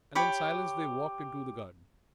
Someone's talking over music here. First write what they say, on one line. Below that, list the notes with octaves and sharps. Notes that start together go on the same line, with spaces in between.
And in silence they walked into the garden.
G4 C#5 B5